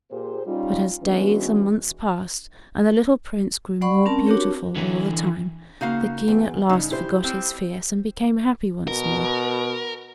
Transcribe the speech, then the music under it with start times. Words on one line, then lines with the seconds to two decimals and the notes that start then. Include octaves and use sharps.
But as days and months passed, and the little Prince grew more beautiful all the time, the King at last forgot his fears and became happy once more.
0.11 A#2 A#3 G4 G#4 C5
0.46 G3 C#4 D#4 F4
1.02 E3 G#3 B3 C#4 D4 F#4
3.81 G3 D5 F#5 B5 C#6
4.06 C4 C#4 A#4 A5
4.26 D4 F#4 G4 A#4 C#5
4.76 D3 E3
5.81 C#3 A#3 D#4 F#4 F5
6.28 E2
6.69 G2 C#3 D#4
6.91 E4 G4 C5
7.24 G3 C4
8.88 B2 A#4